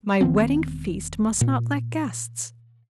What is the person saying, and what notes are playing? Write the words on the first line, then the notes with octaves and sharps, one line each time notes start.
My wedding feast must not lack guests.
E1 D#3 B3 C4
A#2